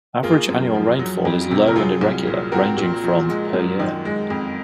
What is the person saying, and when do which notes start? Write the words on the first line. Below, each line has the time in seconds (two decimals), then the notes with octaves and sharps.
Average annual rainfall is low and irregular, ranging from per year.
0.23 A#3 F4 G#4
0.48 F#2
0.75 F3
0.99 F#3
1.25 F2
1.51 C3
1.67 A#4
1.76 F#3 F4 G#4
2.01 C2
2.27 A#2
2.52 C4 F#4 A#4
2.77 A#2
3.04 F3
3.29 G#3
3.54 F#2
3.80 D#3
4.05 G#3
4.30 F2